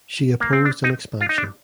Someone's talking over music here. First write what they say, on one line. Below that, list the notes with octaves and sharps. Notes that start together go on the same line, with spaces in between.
She opposed an expansion.
A#3
C4
D4
D#4
F4
D#4
D4